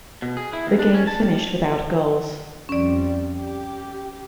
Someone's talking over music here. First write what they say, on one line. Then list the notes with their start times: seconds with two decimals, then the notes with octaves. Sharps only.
The game finished without goals.
0.22 B2
0.37 G#4
0.53 E4
0.67 D#2
0.79 D4
0.94 C#4
1.07 A5
1.22 G3
2.69 F2 G3 C#4 D5
3.35 G4